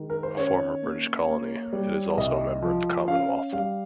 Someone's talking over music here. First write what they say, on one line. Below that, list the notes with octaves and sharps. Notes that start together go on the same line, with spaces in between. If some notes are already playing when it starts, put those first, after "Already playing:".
A former British colony, it is also a member of the Commonwealth.
Already playing: D#3 G#3
A#4
C5
C#4 C#5
A#3
A#3
G3
C2 D#5
F3
C#4 F5
G3 F5